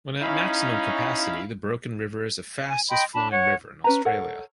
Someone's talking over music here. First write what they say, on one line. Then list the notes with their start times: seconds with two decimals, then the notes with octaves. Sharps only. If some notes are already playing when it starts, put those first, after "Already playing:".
When at maximum capacity, the Broken River is the fastest flowing river in Australia.
0.21 C#4 D#4 E4 F5 B5
2.70 G#5
2.89 D#5 G5 B5 C6
3.14 D4 A5 B5
3.31 C#5 F#5
3.84 C#4 B4 A#5
4.05 A4 A#4 C#5 F#5